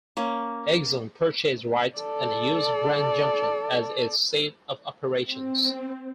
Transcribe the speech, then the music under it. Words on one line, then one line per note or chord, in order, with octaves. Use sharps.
Exxon purchased rights and used Grand Junction as its seat of operations.
A#3 C#4
A4 D5
C4